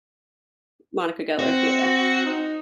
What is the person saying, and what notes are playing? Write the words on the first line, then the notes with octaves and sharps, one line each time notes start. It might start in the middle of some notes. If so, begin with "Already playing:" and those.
Monica Geller, yeah.
C4 F#4
D#4